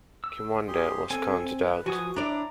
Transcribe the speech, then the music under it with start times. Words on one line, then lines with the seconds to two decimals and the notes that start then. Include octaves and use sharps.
Akinwande was counted out.
0.24 E6
0.68 G4 G#4 C6
1.10 C4 A4 G#5
1.64 B4
1.86 F3 F#4 G#5 D#6
2.16 D4 E4 D5 A#5